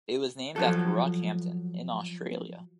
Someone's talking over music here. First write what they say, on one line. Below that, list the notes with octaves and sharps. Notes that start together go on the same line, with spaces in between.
It was named after Rockhampton, in Australia.
F3 F#3 A4